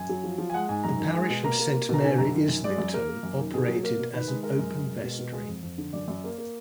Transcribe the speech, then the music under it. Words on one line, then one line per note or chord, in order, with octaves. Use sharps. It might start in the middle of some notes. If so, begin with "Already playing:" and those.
The parish of Saint Mary Islington operated as an open vestry.
Already playing: F#2 G#5
F#3
F3
F3
G#5
G#3 F#5
G#2 G#5
F#2 A#5
D#3
G#3 G#5
B2
A#3 A#5
A#3
A#3
B2 A#5
D3 G#5
F#2 A#5
D#3
F#2
G#3 D5
F#2
A#3 A#4
A#3
F#2
D#3
B2 G#4
F#3
A#3 A#4
B2
D#3 B4
G#3
G#3 A#4
F#2
G#3
G#3
B2
B2
G#3
F2
F2
D3
F#2 D5
F#2
A#3
A#3